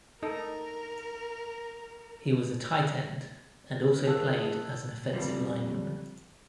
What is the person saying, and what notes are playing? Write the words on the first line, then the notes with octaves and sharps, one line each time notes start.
He was a tight end and also played as an offensive lineman.
D#4 A4 A#4 D#5
D#3 F3 G#4 A5 E6 F#6
F2 F3 G3